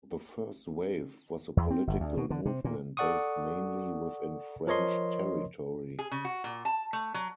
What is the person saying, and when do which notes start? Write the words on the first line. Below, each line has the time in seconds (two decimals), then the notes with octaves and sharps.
The first wave was a political movement based mainly within French territory.
1.57 E2
1.71 C4
1.87 G1
2.00 D2
2.17 B2
2.30 D3
2.46 C3
2.64 A#2
2.97 A4 D5 F#5 C#6 D#6
4.67 F3 A#4 C#5 D#5 C6
5.99 G#4
6.11 C#3
6.25 F#4
6.44 A#2
6.65 A5
6.93 A3
7.14 F#3